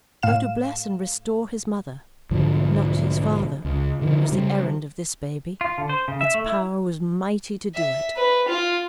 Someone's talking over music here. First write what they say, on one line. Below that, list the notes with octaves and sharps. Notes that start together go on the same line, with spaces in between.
Though to bless and restore his mother, not his father, was the errand of this baby, its power was mighty to do it.
A2 F5 E7
B1 G#2 D3 F3
C#2
D3 D#3 F3
C#3 G3
F4
D3
C5
C#3
E5
A3
E4
E5
B4
F4